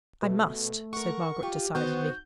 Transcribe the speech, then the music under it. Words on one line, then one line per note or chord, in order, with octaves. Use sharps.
'I must,' said Margaret, decidedly.
B2 A3
A#4 F#5 C#6
F4 G4
D#3 B3 F#4 C5 G6